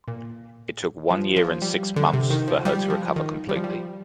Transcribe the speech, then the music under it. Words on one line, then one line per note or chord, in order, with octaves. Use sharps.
It took one year and six months for her to recover completely.
A#2
F3
F3
G3
D3
C3
D#3
F3
G3
F3
D#3
G3
F3
G3